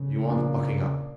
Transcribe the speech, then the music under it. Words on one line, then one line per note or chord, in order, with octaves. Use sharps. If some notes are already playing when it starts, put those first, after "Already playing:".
You want bucking up.
Already playing: C#3
A#2 F3 A#3 D4